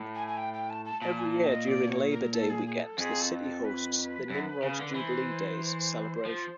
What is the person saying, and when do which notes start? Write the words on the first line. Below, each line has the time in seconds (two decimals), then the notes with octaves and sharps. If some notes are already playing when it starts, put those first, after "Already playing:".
Every year, during Labor Day weekend, the city hosts "The Nimrod Jubilee Days" celebration.
Already playing: A2
0.15 G#5
0.28 G#5
0.37 G5
0.53 G5
0.70 A5
0.85 A5
1.02 A#2 A5
1.19 G#5
1.25 A5
1.46 D#5
1.68 D5
1.89 C#5
2.11 A#4
2.33 A4
2.50 G#4
2.66 G#4
2.82 A4
2.98 F2 G#4
3.21 A4
3.43 A4
3.65 B4
4.30 F#2
4.62 C#3
4.79 D3
4.88 B4
4.95 E3 C5
6.25 F3